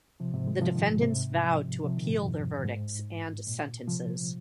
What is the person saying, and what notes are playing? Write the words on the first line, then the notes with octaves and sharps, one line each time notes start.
The defendants vowed to appeal their verdicts and sentences.
C3 F3
G#2 C3
D#3 G#3
C3 F3
A#2 D#3
G#2
G#2 C3
C3 F3
C3 F3
A#2 D#3
G#2
F2
G#2
A#2
C3 F3